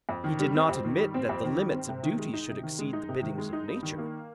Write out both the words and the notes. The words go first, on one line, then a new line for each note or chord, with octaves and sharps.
He did not admit that the limits of duties should exceed the biddings of Nature.
F2
D#3
G3
C4
F2
D#3
G3
C4
F2
D#3
G3
C4
C3
D#3
G#3
D#4
C3
D#3
G#3
D#4
C3
D#3
G#3
D#4
G2
D#3
A#3